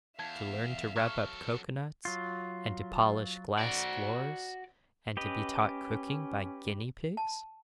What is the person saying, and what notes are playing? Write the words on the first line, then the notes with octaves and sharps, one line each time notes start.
To learn to rub up cocoa nuts, and to polish glass floors, and to be taught cooking by guinea pigs!
E2 E5 F5 A5 G#6
F#3 A4 A#5 C#6 F6 G#6
F#3 F4
F#4 D5
C#4 G4 B4 D#5
A5